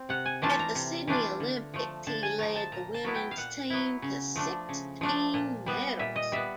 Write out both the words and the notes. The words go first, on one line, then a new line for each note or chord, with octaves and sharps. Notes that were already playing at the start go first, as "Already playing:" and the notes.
At the Sydney Olympics he led the women's team to sixteen medals.
Already playing: C4
C3 F#5
G#5
E3 A3 D4 F4 A5
A#5
C3
E3 A3 D4 F4
D3
F3 A3
D3 A5
G#5
F3 A3 A#5
A5
A#2 A#5
A5
F#3 B3 E4
G5
F5
A#2 F#5
F#3 B3 E4
C#3
F3 A3 D4
C#3
F3 A3 D4
A#2
G3 B3
A#2 E5
D#5
G3 B3 E5